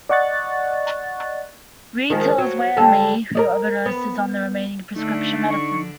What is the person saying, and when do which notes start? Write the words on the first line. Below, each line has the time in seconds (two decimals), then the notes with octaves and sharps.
Reed tells Wanley, who overdoses on the remaining prescription medicine.
0.09 D5 D#5 F#5 C#6 F#6 A6
2.10 D#3 F3 G#3
2.38 F#3
2.77 D3 G3 A4
3.35 A#4 D5 D#5
3.86 B3
4.96 D3 A3 D4 D#4
5.49 C#6